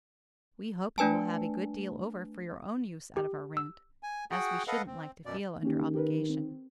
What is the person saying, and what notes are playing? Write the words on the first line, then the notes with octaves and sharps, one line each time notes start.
We hope you will have a good deal over for your own use out of our rent, as we shouldn't like to feel under obligation.
A3 D4 B4 G#5 A5
G4
E6
G#5
F#4 G#4 F#5 G5
A4 B4 D#5 F5 F#5
C4
F#2 B2 D5
D#3 A#3 C#4 G4
G4 A#4 B4
C4